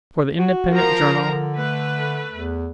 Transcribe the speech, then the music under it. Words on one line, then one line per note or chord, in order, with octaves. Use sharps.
For the Independent Journal.
F#4
F3 A#4 A#5
D3
A3 B4
E2